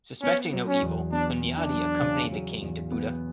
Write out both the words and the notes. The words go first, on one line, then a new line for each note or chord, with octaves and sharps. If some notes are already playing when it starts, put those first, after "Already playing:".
Suspecting no evil, Hunyadi accompanied the king to Buda.
B3 C#4
F#3
C#4
E2
B3 D4
B3
D4
F#3
C#3
F#3
E2
B3